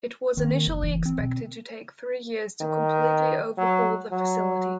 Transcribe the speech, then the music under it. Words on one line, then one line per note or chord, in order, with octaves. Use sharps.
It was initially expected to take three years to completely overhaul the facility.
D#3 A#3 C4
F#1 F#2
E3
C4
B2 D3
D#3
F#3
F#3